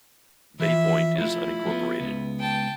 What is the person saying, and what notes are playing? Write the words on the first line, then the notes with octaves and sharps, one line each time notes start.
Bay Point is unincorporated.
E3 F3 E5
F3 A3 E4
F3 B3
C#2 B3
G5 A5